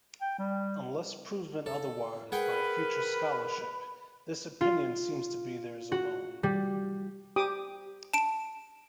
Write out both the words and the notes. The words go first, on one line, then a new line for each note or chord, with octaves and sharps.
Unless proven otherwise by future scholarship, this opinion seems to be theirs alone.
G5
G3
A4
G#4 A#4 B4 F#5 G5 B5
F4
F#4
G3
G4 D6 D#6
A5 D7